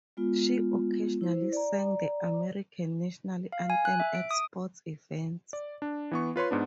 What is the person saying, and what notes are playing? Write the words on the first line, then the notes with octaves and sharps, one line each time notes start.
She occasionally sang the American national anthem at sports events.
G#3 B3 F4
E4 C5
D5 A#5
F5
G#5
F#6
E5
D7
D#6
D5
D4
E3 B3 C#6
F4 B4 C#5 C6
G#2 B3 D4